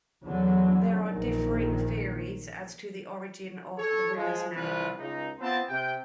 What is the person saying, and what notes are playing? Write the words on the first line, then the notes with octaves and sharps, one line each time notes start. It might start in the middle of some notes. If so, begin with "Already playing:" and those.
There are differing theories as to the origin of the river's name.
E2 D3 F#3
A#1 D#3
A4 C#5
F3 G#3
C2 E3 F3 F4 B4
C#2 D#4
B3 C4 F4 B4 C5 A5
C3 G5